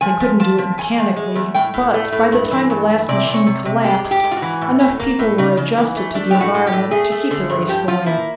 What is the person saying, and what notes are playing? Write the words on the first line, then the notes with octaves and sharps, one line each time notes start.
They couldn't do it mechanically, but by the time the last machine collapsed, enough people were adjusted to the environment to keep the race going.
F3 G#5
F3
F3 A5
F3
E2 G#5
E2
G#3
E2
A2 G5
A2
A3
A2
G2
E3
G2
E3
C3 D5
C3
C#5
C3
C3
G#3 G4
G#2
G4
G#2
F4
F#4
E3
A2
A2
A#3
A2
C#3 D#4
C#3
E3
A3
A3 D4
A2 G4
F#4
A2
G4
A2
A3 G#4
A3
D3
G2
F3 G4
F3 F4
A#3 E4